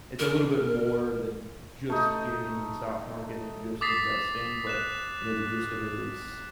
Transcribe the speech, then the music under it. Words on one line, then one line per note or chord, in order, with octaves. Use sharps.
It's a little bit more than just getting into the stock market and just investing, but, you know, the gist of it is
A#4
A3 D#4
D6 D#6 A6 B6 C7
F#6 E7